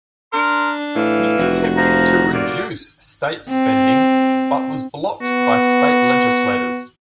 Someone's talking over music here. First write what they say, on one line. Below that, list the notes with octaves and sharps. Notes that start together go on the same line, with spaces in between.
He attempted to reduce state spending but was blocked by state legislators.
D4 A#4 C6
A2 E3 F5
F1 F#4
F3 A#5
A#2 D5
C4
B3 F#4